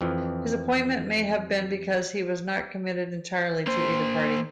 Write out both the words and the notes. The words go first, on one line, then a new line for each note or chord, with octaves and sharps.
His appointment may have been because he was not committed entirely to either party.
F2 E3 F3
A#3 C5